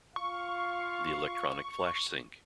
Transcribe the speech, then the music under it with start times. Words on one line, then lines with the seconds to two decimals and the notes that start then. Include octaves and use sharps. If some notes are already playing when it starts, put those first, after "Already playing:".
The electronic flash sync.
0.16 F4 F5 C#6